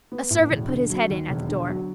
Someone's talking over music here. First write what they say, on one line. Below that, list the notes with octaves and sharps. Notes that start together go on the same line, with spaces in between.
A servant put his head in at the door.
B3
A2
E1
D3
F#3
D#2
E1
D3
F#3